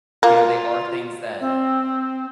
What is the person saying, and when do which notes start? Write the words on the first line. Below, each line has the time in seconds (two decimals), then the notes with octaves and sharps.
you know, they are things that
0.23 A#3 F4
1.41 C4